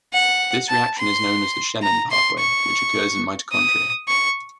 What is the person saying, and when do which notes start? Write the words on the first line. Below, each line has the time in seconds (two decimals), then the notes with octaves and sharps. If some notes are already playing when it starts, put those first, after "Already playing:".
This reaction is known as the Shemin pathway, which occurs in mitochondria.
0.13 F#5
0.69 A5
0.98 C6
1.83 A#5
2.11 C6
2.39 C#6
3.52 D#6
4.08 C#6